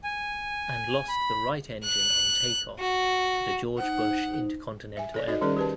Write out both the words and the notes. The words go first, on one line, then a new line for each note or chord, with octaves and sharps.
And lost the right engine on takeoff to the George Bush Intercontinental Airport.
G#5
B5
F#6
F#4
D#4 C5 F#5
E5 G#5
A4 C#5 D5
D#4 F#4 A4 D#5
D#3 G3 C#4 G#4 A#4 D5
G4 B4 A5